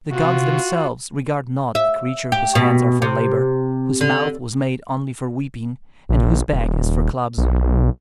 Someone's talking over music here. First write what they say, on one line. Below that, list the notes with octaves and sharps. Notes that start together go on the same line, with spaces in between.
The gods themselves regard not a creature whose hands are for labor, whose mouth was made only for weeping, and whose back is for clubs.
C3 F4 F#4
E5
G4
B2
C3
D3
A#1
D#1
B1